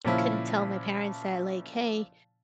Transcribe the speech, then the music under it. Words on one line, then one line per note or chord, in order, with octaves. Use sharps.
I couldn't tell my parents that, like, "Hey,
A#2 C#3 F3 C#4 E4 F4